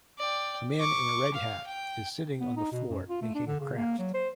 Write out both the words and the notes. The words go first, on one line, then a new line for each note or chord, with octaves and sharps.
A man in a red hat is sitting on the floor making a craft.
D5 G5
C#6 D6
F5
G5
B3
D#4
B2
F#2
F4
A3
D4
D3
C#3
A#3
F#3
C5